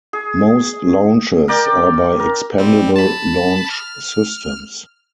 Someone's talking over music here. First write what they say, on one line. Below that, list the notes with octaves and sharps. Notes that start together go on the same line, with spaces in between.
Most launches are by expendable launch systems.
G#4
A#4 D5 G5
A#4
G3 C4
A5 B5
F6